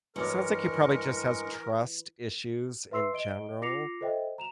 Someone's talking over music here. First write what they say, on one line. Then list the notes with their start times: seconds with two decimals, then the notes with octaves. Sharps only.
sounds like he probably just has trust issues in general,
0.16 G2 E3 G#3 A#4 C#5 D5 C#6
2.91 B4 E5 C6 E6 C7
3.14 D#5 D7 G7
3.62 F4 D6 A#6 C7 C#7 F7
4.01 A4 C5 D#5 E5 G5
4.38 A#5 E7 F7